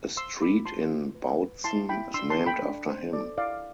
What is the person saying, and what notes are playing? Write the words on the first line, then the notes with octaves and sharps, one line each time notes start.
A street in Bautzen is named after him.
C5 C6 E6
F4 B5 D6
F4 A5 C6
F4
B4
B4
E4 A5 C6
E4 G5 B5
D4 C6 E6
A5 C6
A4
G5 B5
D4
C5
A4 D5
E4 D5 F5